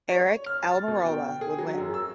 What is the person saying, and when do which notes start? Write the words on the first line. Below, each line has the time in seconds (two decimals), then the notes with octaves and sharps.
Aric Almirola would win.
0.09 C#5
0.46 F6
0.63 A6
0.88 B2
1.06 G5
1.41 G#4
1.59 F#3
1.78 F#2
1.94 E6